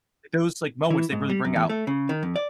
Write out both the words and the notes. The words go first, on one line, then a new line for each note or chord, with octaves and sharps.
those, like, moments, they really bring out,
E3
G#2
G3
F#2
E2
A3
C#3
D#3
F2
D5